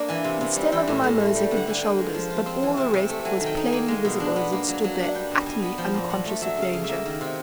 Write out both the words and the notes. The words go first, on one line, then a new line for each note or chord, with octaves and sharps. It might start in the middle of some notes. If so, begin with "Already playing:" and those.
The stem of a mimosa hid the shoulders, but all the rest was plainly visible as it stood there utterly unconscious of danger.
Already playing: A#3 D4
E3 G#5
C3
C3
G3
E3 G5
A2
A2
A3
G3 G5
D3
F#5
D3 G#5
A#3 G5
G#3
F3
F4
C4
E3
C3
C3
A3
F#3 G#5
D#3
G5
D#4
G#5
A#3
G#3
B2
D4
B3
A#3
F#3
F#3
D4
F#5
G3 G5
B2
B2 G#5
B3
F3 G5
A#2
A#2 F#5
A3
F#3 E5
C#3
F5
C#3
E5
A#3
D#3
C3